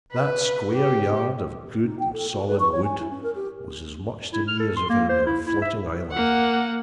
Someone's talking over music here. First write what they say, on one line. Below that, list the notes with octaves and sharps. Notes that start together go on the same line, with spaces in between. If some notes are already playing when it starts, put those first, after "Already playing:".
That square yard of good and solid wood was as much to me as if it had been a floating island.
B4
G4
D#4
G5
A4
F#4
B4
C#6
C#5
G#5
E4
C#4
A#4
G4
E4
F6
A4
C6
A#3
C5
E4
E4
E5
A#3 F#5